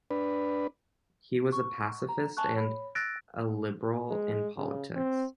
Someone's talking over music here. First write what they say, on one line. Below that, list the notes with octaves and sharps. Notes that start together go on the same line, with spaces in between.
He was a pacifist and a Liberal in politics.
D4 B4
C#6
A#5
G#5 A5 C6 C#6 F#6
C#5 B5
E6 F#6 A6 A#6 D7
G#3
C#3
C4